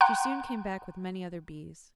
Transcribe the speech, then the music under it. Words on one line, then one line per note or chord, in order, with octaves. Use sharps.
She soon came back with many other Bees.
F#5 G5 A#5 C6 F#6